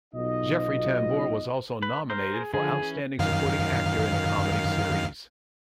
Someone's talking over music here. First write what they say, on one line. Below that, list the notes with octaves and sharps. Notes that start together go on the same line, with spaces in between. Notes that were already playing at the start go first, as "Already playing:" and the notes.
Jeffrey Tambor was also nominated for Outstanding Supporting Actor in a Comedy Series.
B1 B2 D#4 F4 D#5
B4
A#4 C5
G#4
D3 F3 G#4
E3 C#4
F#2 D#3 F5